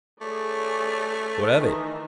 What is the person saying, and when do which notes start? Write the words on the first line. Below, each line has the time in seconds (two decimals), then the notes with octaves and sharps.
"What of it?"
0.21 A3 G#4 C#5 D5
1.53 D#3 E3 D#4